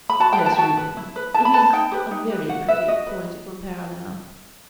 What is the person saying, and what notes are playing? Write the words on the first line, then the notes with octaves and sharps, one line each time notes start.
Yes, really; it is a very pretty poetical parallel.'
B5
F#4 A5
G5
B4
A5
G5
F#4 A5
B4
E4
B4
E4 A5
B5
B4 A5
D#4 G5
G4 B4
D#4
G4 B4
F#4 F#5
B4 E5
F#4 D#5
B4